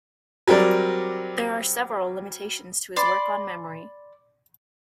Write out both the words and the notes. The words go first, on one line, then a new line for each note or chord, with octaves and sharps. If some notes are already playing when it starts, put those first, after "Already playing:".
There are several limitations to his work on memory.
F#3 G3 C4 A#4 D5
D5 B5 C6 D6